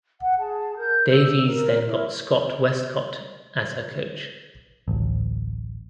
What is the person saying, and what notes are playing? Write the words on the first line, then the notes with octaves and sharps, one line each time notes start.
Davies then got Scott Westcott as her coach.
F#5
G#4 A5
A#4 G6
E6
A#4
E4 A#4 C#5
D1 A1